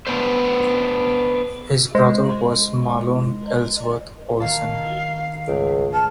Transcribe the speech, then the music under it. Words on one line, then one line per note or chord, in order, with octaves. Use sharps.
His brother was Mahlon Ellsworth Olsen.
B3 D4 B4 C5
G#3 C5
D#3 A#3 F5 A5
C#2 G#2 A3 D7
A5 F6